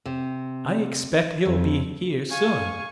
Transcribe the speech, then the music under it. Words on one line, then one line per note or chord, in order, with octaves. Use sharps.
I expect he'll be here soon.
C3
F2
F5 G#5 C#6